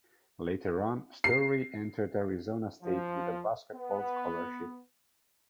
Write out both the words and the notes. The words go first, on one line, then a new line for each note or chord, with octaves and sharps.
Later on, Storey entered Arizona state with a basketball scholarship.
C7
F3
B3